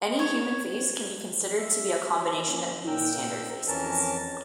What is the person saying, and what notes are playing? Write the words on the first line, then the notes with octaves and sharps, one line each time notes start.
Any human face can be considered to be a combination of these standard faces.
C#5
E5
F3 A#3 C#4
A#2 A#4 G5 E6
F2 E3 C#4 A#4 A5